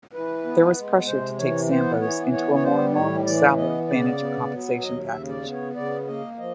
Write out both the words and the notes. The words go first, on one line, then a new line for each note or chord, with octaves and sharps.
There was pressure to take Sambo's into a more normal salaried manager compensation package.
E3 B4
B3
G#3
C3 C5
E3 C#5
B3 C5
E3 C#5
B3 C#5
C#5
G3 C5
A2 C#5
E3 D5
B3 D#5
C#3 D5
B3
F#3
D#2 D#5
E5
C#3
D5
B3
C#5
C#3 D5
A#3 D#5
F3 D#5